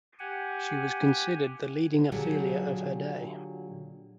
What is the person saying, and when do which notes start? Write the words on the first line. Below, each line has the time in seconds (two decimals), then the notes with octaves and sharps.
She was considered the leading Ophelia of her day.
0.19 G4 F#5 G#5
2.12 A#2 D3 F#3 G4 G#4